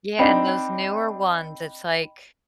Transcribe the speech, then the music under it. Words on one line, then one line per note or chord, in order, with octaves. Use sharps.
Yeah, and those newer ones, it's like
C4 D4 D#4 D#5 G5 B5